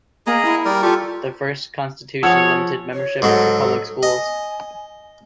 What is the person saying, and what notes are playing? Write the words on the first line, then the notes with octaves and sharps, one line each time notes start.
The first Constitution limited membership to public schools.
A#3 G#4 D#5 A#5
E4
G3 A#4 D5
F4 G4 A4 C#6
F3 G#4 C#5 F#5 E6
C#5
G#2 F#3 A4
D#5 G#5